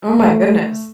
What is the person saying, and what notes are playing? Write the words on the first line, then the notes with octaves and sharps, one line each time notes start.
Oh my goodness.
A3